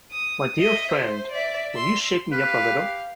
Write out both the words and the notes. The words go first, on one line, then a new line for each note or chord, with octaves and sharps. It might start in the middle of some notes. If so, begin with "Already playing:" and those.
My dear friend, will you shake me up a little?
D#6
D#5 E5
C5
D5 E5
C6 E6
G4 B4 F5